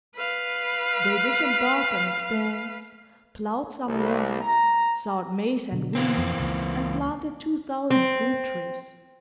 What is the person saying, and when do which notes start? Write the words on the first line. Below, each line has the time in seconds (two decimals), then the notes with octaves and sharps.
They disembarked on its banks, ploughed some land, sowed maize and wheat, and planted two thousand fruit trees.
0.16 B4 F5
3.86 C2
4.42 A#5
5.72 B2 D3
5.95 E3 A#3 C4
6.17 F2
6.40 C#2
7.90 C4